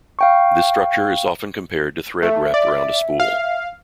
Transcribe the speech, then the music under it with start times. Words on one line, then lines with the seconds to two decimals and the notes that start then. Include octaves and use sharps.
This structure is often compared to thread wrapped around a spool.
0.19 F5 G5 C#6
2.23 A3 E5
2.54 D5
3.20 F5